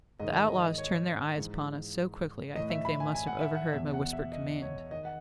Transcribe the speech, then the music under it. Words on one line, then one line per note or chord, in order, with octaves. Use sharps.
The outlaws turned their eyes upon us so quickly I think they must have overheard my whispered command.
G#2 D#3 D#5
D#5
C#5
G#2 E3
A2 E3 D#5
E5
B5
G#5
G#5
F#5
E5
F#5
E2 B2 E5
F#5
E5
D#5
C#5
D#3 D#5
F#5